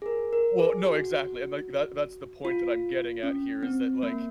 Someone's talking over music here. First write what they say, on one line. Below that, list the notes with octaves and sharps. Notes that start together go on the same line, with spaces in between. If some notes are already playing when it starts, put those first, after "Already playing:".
Well, no exactly, and, like, that that's the point that I'm getting at here is that, like,
G#4
A#4
A#4
G#4
F#4
F4
C#4
C4
A#3